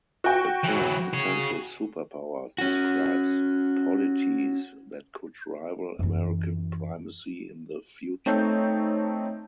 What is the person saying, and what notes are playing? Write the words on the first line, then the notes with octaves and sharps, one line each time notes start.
The term "potential superpowers" describes polities that could rival American primacy in the future.
F#4 G5
E3 F#3
G#4 C#5
C#4 F#4
F#2 E3
A3 C4 D#4 C#5 A5 G6